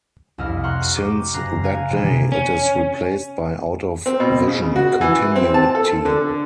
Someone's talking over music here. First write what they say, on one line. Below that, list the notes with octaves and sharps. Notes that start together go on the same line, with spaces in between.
Since that day, it is replaced by out-of-vision continuity.
C2 F2 E4 D#5 F6
F#5 A#5 C6 C#6 F6 F#6
G4 D6 D#7
F#1 A#5 F#6 A#6 C7
F5 G#5 D#7
C3 E3 D4 G#4
C#4
C4
B2
C#3
F#4
E3
C4
A5
A4
D3